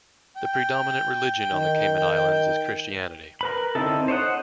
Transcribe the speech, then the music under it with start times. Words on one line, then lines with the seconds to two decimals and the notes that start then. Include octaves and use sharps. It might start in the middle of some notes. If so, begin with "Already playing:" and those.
The predominant religion on the Cayman Islands is Christianity.
0.36 G5
1.53 D#3
3.41 A#4 B4 B5
3.75 D3 C4 D#4 E4 A4
4.08 C5 C#5 D#5 F#5